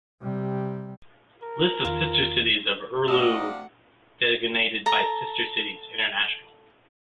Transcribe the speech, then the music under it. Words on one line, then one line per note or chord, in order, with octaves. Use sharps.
List of sister cities of Orlu, designated by Sister Cities International.
C3 G3
A#4
E2 D#3 F4
C3 F3 A3 D4 F#4 D#5 F#5
A4 A#5